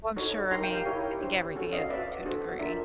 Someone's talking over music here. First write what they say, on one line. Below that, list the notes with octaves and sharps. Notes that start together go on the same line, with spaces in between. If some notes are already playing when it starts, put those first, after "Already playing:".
Well, I'm sure, I mean, I think everything is to a degree.
D#4 F#4 A4 C#5
D#4 G4 A#4 A#5 C6
F5 G5
F5 G5
E4 G4 A#4 C#5
D4 G4 C5
C#4 F#4 A4
D#5 F5
F#4 B4 D5 E5
D4 F#4 A4 C5
D4 F4 A#4 D5 E5